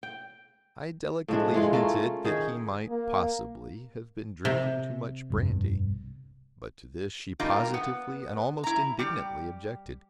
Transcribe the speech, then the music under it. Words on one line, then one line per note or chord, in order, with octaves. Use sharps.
I delicately hinted that he might, possibly, have been drinking too much brandy; but to this she positively and almost indignantly objected.
G5
A2 F3 G#3 D4
E3 G#3 F4
A3 C#4 F4 A#4
D#3 C#4 G#4
A#3
C3
F1 B1 G2
G3 A#3 D#4 F4
B3
E4 A#5
G3 G4